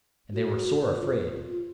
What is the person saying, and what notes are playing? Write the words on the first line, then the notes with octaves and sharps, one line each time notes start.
And they were sore afraid.
F#4
F4